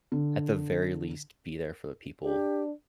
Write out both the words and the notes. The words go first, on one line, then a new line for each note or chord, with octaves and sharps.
at the very least, be there for the people
D3
D4 G4